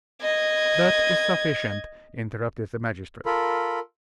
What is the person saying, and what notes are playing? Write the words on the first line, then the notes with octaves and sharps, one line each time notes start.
"That is sufficient," interrupted the magistrate.
D#5 G#6
F4 A4 A#4 B5